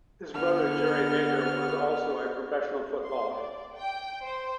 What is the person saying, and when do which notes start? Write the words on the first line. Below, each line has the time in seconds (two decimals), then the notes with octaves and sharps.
His brother Gerry Baker was also a professional footballer.
0.34 D3 B3 F6
3.05 C6
3.34 D5
3.77 G5
4.24 C5